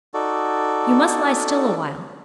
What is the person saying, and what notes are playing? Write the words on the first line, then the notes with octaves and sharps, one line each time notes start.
You must lie still awhile.
D#4 F#4 A4 D5